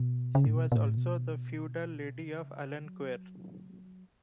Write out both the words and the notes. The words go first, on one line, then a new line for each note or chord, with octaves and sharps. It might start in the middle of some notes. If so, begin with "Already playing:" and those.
She was also the feudal Lady of Alenquer.
Already playing: B2
C#3
A2
B2
B2
A2
B2
C#3
F#3